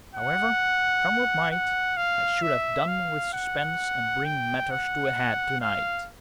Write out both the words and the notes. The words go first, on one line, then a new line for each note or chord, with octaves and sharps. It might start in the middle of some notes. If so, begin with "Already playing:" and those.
However, come what might, I should have done with suspense and bring matters to a head to-night.
F#5
F#5
F5
E5
F5
F#5
G5
F#5
F5